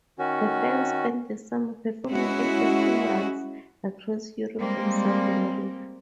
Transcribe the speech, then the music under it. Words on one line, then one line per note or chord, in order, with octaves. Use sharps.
The band spent the summer performing at festivals across Europe and South America.
D#3 C#4 F#4
G#3 C#4 E4 F#4
G3 G#3 A#3 C4